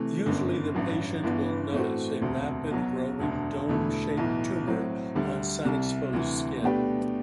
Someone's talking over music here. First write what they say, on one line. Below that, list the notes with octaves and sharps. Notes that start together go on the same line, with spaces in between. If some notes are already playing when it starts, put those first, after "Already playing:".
Usually the patient will notice a rapidly growing dome-shaped tumor on sun-exposed skin.
Already playing: C3 E3 A3
G1 F#2 D3
A1 G2 F#3
G1 G2 E3 B3
A2 E3 A3 C4 F#4
E1 D2 C3
B1 B2 F#3
E1 D2 D3
E1 E2 D3 A3 E4
B1 A2 E3
A2 F#3 C4
D2 D3 G3
C2 C3 G3
D2 C3 E3
B2 A3 D4 G4 B4